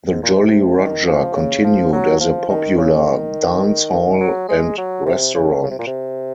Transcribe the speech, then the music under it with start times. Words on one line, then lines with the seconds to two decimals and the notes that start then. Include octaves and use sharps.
The Jolly Roger continued as a popular dancehall and restaurant.
0.09 G#2
0.23 A#2
0.35 C3
0.78 D#3
1.07 F3
1.35 C#3
1.64 F3
1.93 F#3
2.20 F3
2.49 D#3
2.78 C#3
3.06 D#3
4.20 F#3
4.49 G#3
4.78 F#3
5.06 C3
5.34 C#3
5.63 C#3
5.71 C3
5.79 A#2
5.87 C3